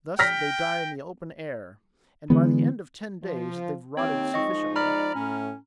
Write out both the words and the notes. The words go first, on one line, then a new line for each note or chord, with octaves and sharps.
Thus they die in the open air, and by the end of ten days they've rotted sufficiently.
G5 F6 A#6 B6
D3 E3 G#3 B3
F3
D#2 C4 C#5
F3 G#3 D#4 D#5 C#6
D5 A#5 B5 F6
A2 C#4